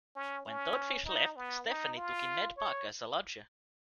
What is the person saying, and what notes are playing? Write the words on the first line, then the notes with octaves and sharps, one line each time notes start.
When Toadfish left, Stephanie took in Ned Parker as a lodger.
C#4
C#4
D#4
B3
D#4
F4
C#5